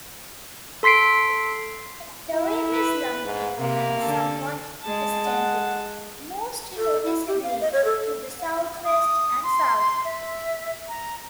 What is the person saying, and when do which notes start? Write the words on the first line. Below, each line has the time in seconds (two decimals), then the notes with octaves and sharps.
The rim is lumpy and somewhat distended, most noticeably to the southwest and south.
0.83 A4 C6 B6 C7 D7
2.34 E4
2.72 B4
3.25 G#2
3.58 C3 A#3
4.00 D3 A4
4.84 G#3 A5
5.26 F#5
6.77 A4
7.04 E4
7.27 G4
7.43 F5
7.61 D#5
7.73 C#5
7.85 A4
8.85 D#6
9.43 C6
10.05 E5
10.88 A#5